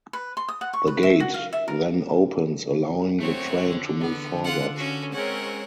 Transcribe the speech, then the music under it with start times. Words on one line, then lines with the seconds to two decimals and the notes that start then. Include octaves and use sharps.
The gate then opens, allowing the train to move forward.
0.13 B4
0.37 C6
0.49 D#6
0.61 F#5
0.73 C#6
0.87 B4
1.03 E5
1.20 F#4
1.34 F5
1.53 E5
1.68 A#4
3.20 A3 C4 F#4 C#5
3.66 D3
4.00 B3
4.44 F4 F#5
4.76 C#4 F#4
5.12 G#3 C4 C#4 A#4 F#5